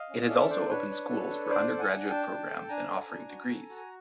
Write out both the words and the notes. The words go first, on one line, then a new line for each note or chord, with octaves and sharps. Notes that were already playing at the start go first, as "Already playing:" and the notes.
It has also opened schools for under graduate programs and offering degrees.
Already playing: D#5 F5
C#4
A4 D5 E5
D4 C5 D5
D4 B4 C#5
D4
A4
D4
D4 C5 D5
A4
F#5 G#5
D4
D4 G5 A5
D4
A4
D4 G#5 A#5
A4
D4
F#4
A4
F#4
G#5